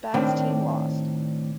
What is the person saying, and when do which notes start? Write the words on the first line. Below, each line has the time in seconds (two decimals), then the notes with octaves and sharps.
Badd's team lost.
0.14 A2 D#3 C4 D4